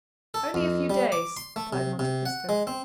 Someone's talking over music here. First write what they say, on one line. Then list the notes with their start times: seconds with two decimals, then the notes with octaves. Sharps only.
"Only a few days," replied Monte Cristo.
0.34 A4
0.54 F2
0.90 G3
1.12 D6
1.37 C6
1.56 A3
1.73 C3
1.99 C3
2.26 F#5
2.49 G#3
2.67 C4